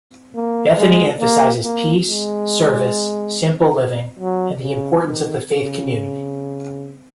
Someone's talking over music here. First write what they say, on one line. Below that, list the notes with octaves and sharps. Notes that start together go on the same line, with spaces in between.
Bethany emphasizes peace, service, simple living, and the importance of the faith community.
A#3
G#3
A#3
A#3
G#3
F#3
C#3
D#3
C#3